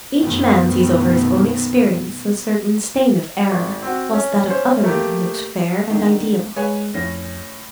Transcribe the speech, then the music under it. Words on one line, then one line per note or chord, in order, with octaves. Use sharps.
Each man sees over his own experience a certain stain of error, whilst that of other men looks fair and ideal.
F#2 B2 D#3 A3 B3 C4
G#1
C4 F#4
C#4
C#4 C5
A3 A#3 G4
D3 D#3
G#3 B4 C#5 G#5
F2 A2 C#4 A#6